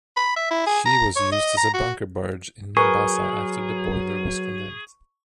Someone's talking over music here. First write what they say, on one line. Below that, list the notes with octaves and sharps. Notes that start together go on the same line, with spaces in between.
She was used as a bunker barge in Mombasa after the boiler was condemned.
B5
E5
E4
G#4
A#5
C#5
D#5
A#5
F#4
F#3 G#4 A#4 B4 C#6